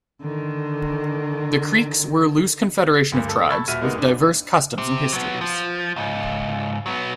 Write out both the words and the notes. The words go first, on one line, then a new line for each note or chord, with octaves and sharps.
The Creeks were a loose confederation of tribes with diverse customs and histories.
D3 D#3
D2 G2 A#3
A4
A5 B5 C#6 E6 G#6 A6
D#1 F#4 E5 F6 D#7
G#3 A#3 B3 D#4 F#4
F#1 D4
C4 G4
F#3 B3
F3
C#2 G#2
F#3 B3